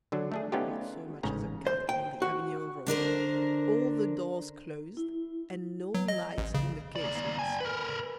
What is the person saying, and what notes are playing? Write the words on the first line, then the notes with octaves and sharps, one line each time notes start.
Not so much as a cat upon the Avignon road--all the doors closed, and no lights in the casements.
D3 F#3 D4
A3 D4 G#4
A3 B3 C#4 D#4 F4 G4
A1 G#2 C#3 C#4 A#5
C5
G5
F#4
D3 D4 A#4 C5
E4
F#3
D#5
A1
C#3
D#2 D5
G5 G#5
A#4 B4